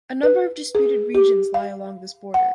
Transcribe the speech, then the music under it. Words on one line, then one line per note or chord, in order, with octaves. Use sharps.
A number of disputed regions lie along this border.
B4
G#4
G4
F5
F#5